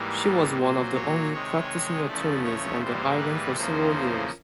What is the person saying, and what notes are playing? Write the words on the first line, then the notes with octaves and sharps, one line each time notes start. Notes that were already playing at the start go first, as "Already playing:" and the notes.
She was one of the only practicing attorneys on the island for several years.
Already playing: G#2 E3 G3 A#3
A#2 F#3 A#3 C5
C#5
C3 D#3 G#3 C#5
E2 C#3 F3 A3 D5
C#5
G#2 E3 G3 A#3 C5
B4
E2 C#3 F3 A#3 C5